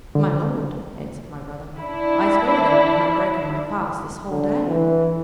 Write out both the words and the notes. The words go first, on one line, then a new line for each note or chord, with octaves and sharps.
"My lord," answered my brother, "I swear that I have not broken my fast this whole day."
D3
D4 E4
D3
E3